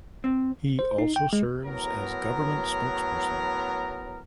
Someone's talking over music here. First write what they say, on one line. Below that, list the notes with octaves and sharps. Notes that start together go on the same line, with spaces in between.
He also serves as government spokesperson.
C4
C5
D#4
G5
G#3
A2 F#3 B3 A#4 A#5